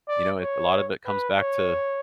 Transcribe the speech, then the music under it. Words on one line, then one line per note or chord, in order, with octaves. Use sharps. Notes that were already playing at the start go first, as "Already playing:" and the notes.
You know, a lot of it comes back to
D5
C#5
B4
C#5